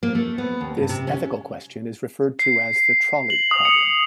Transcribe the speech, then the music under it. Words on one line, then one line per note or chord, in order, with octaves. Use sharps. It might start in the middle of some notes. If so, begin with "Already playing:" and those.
This ethical question is referred to as the trolley problem.
A#3
A3
B3
D#2
G2
C3
C#4
C7
F#7
D#6
C#7